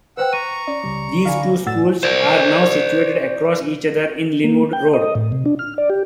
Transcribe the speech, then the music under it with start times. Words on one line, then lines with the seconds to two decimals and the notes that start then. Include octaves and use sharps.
These two schools are now situated across each other in Lynnwood Road.
0.17 B4 C5 F#5 G5 E6
0.33 A#5 C#6 D#7
0.67 C#4 D5
0.84 C#2 C#3 G3
1.25 D3 B4 D5 F5 G#5
1.66 G1 A2 F#5 E6 A6 E7
2.03 C5 D5
4.44 A#3
4.73 G5
4.93 D#5
5.15 A2
5.32 C3
5.46 D4
5.59 F6
5.78 D5
5.90 G4